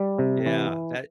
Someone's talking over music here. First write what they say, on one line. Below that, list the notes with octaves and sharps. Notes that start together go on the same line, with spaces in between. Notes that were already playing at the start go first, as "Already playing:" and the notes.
Yeah. That
Already playing: G3
C3
E3